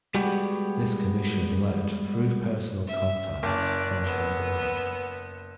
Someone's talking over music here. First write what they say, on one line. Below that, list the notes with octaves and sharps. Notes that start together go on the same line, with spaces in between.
This commission led, through personal contacts, for further work.
G3 G#3 B3 F#4 G4
E5
F#1 D5
B3 E6